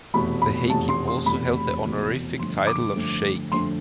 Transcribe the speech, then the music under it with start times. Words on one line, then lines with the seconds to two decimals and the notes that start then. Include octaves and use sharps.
The Hakim also held the honorific title of sheikh.
0.14 F1 E2 B2 A3 B5
0.42 B5
0.70 F1 E2 B2 A3 A5
0.89 C6
1.08 C6
1.26 F1 E2 B2 A3 B5
1.83 F1 E2 B2 A3
2.39 G1 F2 D3 A3 C6
2.67 D6
2.95 G1 F2 D3 A3
3.51 G1 F2 D3 A3 C6